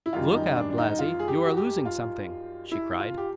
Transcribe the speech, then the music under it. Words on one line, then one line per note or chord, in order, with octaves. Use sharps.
"Look out, Blasi, you are losing something," she cried.
E4
F#2 D#3 G3 F4
D#4
D4
D4
D#4
F4
G#4
G4
F#4
G4
F4
E4
F4
G4